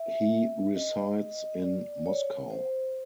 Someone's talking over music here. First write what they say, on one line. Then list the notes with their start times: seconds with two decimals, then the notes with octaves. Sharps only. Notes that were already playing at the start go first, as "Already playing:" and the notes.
He resides in Moscow.
Already playing: E5
0.74 D#5
1.62 D5
2.02 D5
2.06 C#5
2.50 C5